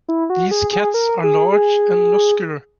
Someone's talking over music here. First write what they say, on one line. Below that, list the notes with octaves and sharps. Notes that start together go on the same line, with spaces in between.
These cats are large and muscular.
E4
F#4
G#4
G#4
A#4
G#4
G#4